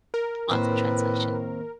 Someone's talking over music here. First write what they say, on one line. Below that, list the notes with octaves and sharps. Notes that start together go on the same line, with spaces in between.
lots of translation.
A#4
D#2 A2 C4 B4 C5